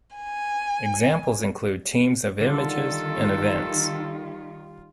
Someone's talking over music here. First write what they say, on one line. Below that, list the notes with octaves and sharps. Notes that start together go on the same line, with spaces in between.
Examples include teams of images and events.
G#5
D3 D#3 G3 F4 A4